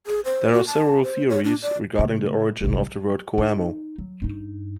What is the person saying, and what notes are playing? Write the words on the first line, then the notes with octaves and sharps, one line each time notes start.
There are several theories regarding the origin of the word "Coamo".
G#4
C5
F#4
A5
C5
C#5
D4
D5
C#3 A3
G1 C2
F#3
D#4
F#3
G2 D#4